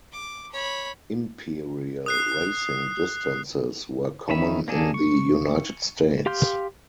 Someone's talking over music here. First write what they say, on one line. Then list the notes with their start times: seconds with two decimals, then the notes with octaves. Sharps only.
Imperial racing distances were common in the United States.
0.12 D6
0.52 C#5 B5
2.06 D#6 F#6 C7
4.29 D#3 C#4 D#4 E5 B5
4.68 A#3 D4 G#4 A4
4.94 C#6
6.26 G4 F5 C6 F6 G6